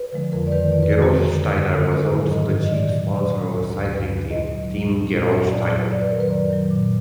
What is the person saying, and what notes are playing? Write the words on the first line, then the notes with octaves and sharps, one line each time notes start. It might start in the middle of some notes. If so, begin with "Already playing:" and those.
Gerolsteiner was also the chief sponsor of a cycling team, Team Gerolsteiner.
Already playing: B4
D3 F3 G#3
F2 A#4
D5
D#3 G#3 B4
F2 D5
B4
D#3 G#3 G#4
F#4
F#2 A#4
D3 G#3
F#2
D3 G#3
G#2 B4
D#3 F#3
G#2 D#5
D#3 F#3
D#5
A#2 D5
F#3
A#2 D5
F#3
D2
D3 G#3
D2 B4
D3 G#3
A#2 D#5
F#3
A#2
F#3
A#2
F#3
A#2 D5
F#3
F#2 D5
B4
D#3 F#3 A#4
B4
F#2 D5
D#3 F#3
A#2